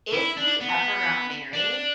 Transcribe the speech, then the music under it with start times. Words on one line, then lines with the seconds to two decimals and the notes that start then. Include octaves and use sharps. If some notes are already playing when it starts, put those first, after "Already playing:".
if we ever got married"
0.13 E4
0.37 D4
0.61 B3
1.53 D4